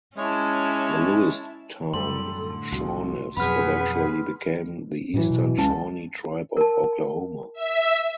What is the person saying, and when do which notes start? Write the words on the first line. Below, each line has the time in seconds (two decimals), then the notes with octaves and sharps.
The Lewistown Shawnees eventually became the Eastern Shawnee Tribe of Oklahoma.
0.17 G#3 C#4 E4 C#5 A5
1.94 F#2 G3 A4 C6
2.31 A2 D3
2.72 C2 F#4
3.37 F2 B2 F#3 G#4 B4 F#5 B5 F6
5.14 A2 E3 F#3
5.31 B2
5.58 C#2 C#4 A5
6.57 A#4 A5
7.53 E5